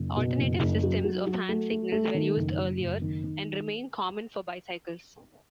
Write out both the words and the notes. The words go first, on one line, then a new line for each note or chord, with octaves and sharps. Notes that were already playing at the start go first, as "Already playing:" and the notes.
Alternative systems of hand signals were used earlier, and remain common for bicycles.
Already playing: F#1
B2
F#1
F#1
F#3
F#3
F#3
A3
A3
A3
D#3
F#1
F#3
F#1
D#3
D#3